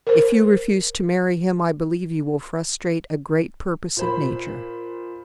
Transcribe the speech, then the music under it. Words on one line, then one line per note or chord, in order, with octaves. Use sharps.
If you refuse to marry him, I believe you will frustrate a great purpose of Nature.
A#4 C5
A#2 C5 B5